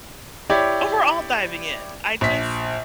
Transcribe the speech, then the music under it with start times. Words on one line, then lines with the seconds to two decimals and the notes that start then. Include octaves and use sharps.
overall diving in, I just
0.50 E4 G4 C#5 D5
2.21 A#1 B6